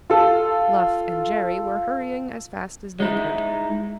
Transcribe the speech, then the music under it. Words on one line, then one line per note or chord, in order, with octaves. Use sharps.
Bluff and Jerry were hurrying as fast as they could.
F4 A4
G#3 D#4 E4